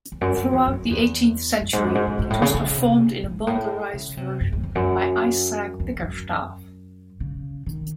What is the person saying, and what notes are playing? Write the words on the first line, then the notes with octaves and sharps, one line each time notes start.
Throughout the eighteenth century it was performed in a bowdlerized version by Isaac Bickerstaffe.
E2
F#2
F#2
E2
F#2
E2
F#2
G#2
F#2
G#2
G#2
G#2
A2
C#3
C#3
C3
G#2
A2
C#3
C3
F#2
E2
E2
F#2
E2
F#2
C#3
D#3